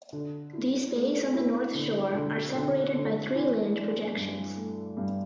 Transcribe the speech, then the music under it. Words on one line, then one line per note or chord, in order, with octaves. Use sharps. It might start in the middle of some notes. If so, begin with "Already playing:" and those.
These bays on the north shore are separated by three land projections.
D3
E4
A3
E4
D3
D3
D3
D3
E3
D4
G2
A3
G2